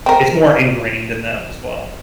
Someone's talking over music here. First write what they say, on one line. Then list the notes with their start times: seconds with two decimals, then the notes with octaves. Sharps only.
it's more ingrained in them as well.
0.06 C4 A#4